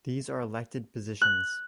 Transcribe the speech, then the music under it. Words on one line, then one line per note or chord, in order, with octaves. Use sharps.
These are elected positions.
F#6